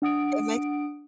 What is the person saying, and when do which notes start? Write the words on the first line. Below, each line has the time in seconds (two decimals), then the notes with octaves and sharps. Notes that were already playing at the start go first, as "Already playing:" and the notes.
That makes
0.02 D4 F#5 D#6 D7